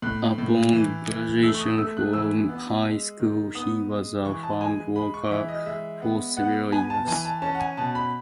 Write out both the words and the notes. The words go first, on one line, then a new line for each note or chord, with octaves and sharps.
Upon graduation from high school, he was a farm worker for several years.
A2 F#6
A2
E3
E3
A3 E6
C#6
D#6
A3 E6
F#6
E3 E6
B3
G#3
D#3
B3 D#6
G#3
E3 C#6
A5
G#3 G#5
G#3 B5
C#6
E3 E5
D#5
G#3 E5
B3
B3 F#5
B3 G#5
A5
E3 G#5
A5
C#4 A5
F#5
G#5
B2 A5
B5